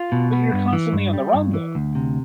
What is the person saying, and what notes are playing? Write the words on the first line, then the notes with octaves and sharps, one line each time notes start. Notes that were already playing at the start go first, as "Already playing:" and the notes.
But you're constantly on the run, though.
Already playing: F4
B2
B3
G2
E3
G2
G3
G2
E3
D2
C3